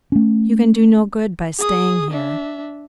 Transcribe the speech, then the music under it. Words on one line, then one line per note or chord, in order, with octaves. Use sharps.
You can do no good by staying here.
A3 C#4
G#4 D#6
D4 E5